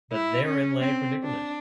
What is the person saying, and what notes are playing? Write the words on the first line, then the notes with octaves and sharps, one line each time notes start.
But therein lay a predicament.
E4
C#4
C4
D4